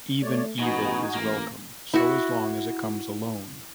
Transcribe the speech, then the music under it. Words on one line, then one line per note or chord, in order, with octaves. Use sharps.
Even evil is welcome so as long as it comes alone.
A3 C#5 D5
A1 B2 D#4 F#4 G#5
A1 A#3
E4 F#4